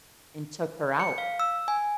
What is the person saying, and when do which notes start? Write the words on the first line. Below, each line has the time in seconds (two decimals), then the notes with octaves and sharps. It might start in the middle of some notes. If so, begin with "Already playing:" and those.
and took her out,
1.00 C#7
1.18 F5
1.40 E6
1.68 G#5